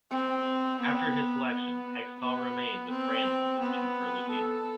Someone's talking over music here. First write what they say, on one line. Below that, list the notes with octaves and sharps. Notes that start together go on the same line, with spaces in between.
After his selection, Hextall remained with Brandon for two further seasons.
C4
B3
B3
B3
C4
B3
A4